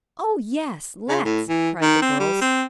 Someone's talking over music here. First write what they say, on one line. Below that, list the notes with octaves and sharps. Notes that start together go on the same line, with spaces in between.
"Oh, yes, let's!" cried the girls.
C#3
A2
E3
D#3
C4
G3
C4